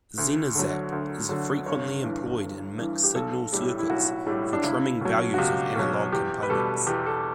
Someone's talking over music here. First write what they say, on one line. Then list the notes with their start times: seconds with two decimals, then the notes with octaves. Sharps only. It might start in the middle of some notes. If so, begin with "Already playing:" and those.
Zener zap is frequently employed in mixed-signal circuits for trimming values of analog components.
0.18 D2
0.55 D3 F#3
0.92 D2
1.29 D3 F#3
1.66 G1 C#5
2.03 G2 E3
2.41 G1
2.78 G2 E3
3.03 G4
3.15 B1 A4
3.52 A2 G3
3.80 E4
3.90 B1 F#4
4.27 A2 G3
4.53 D4
4.63 C#2 E4
5.01 B2 F#3
5.34 F#4
5.38 C#2 G4
5.76 B2 F#3
6.12 E2 G4
6.43 B4
6.50 B2 G3 A4
6.87 E2 G4
7.06 A4